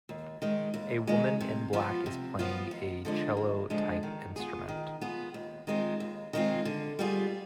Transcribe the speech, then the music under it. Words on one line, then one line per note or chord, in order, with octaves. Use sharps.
A woman in black is playing a Cello type instrument.
D#2
D#3 G#3
D#2
D#3 G#3
C3
F3 B3 F4
C3
F3 B3 F4
D#2
D3 F3 G#3 D4
D#2
D3 F3 G#3 D4
D#3
B3 F4 G#4
D#3
B3 F4 G#4
D#2
D#3 G#3 C4 F4
D#2
D#3 G#3 C4 F4
D3
G3 B3 F4 G#4